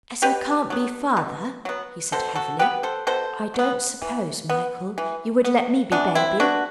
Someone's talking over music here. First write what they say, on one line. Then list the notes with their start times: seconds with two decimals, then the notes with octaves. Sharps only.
'As I can't be father,' he said heavily, 'I don't suppose, Michael, you would let me be baby?'
0.22 B2 G4 B4
0.70 F#3 B3
1.17 B2
1.65 F#3 B3
2.12 B2 A4 C5
2.35 F#4 A4
2.59 F#3 B3 G4 B4
2.83 A4 C5
3.07 B2 A4 C5
3.54 F#3 B3
4.02 E3
4.50 B3
4.98 E3
5.44 B3
5.92 E3 B3 D4
6.15 C4 E4
6.40 B3 D4 F#4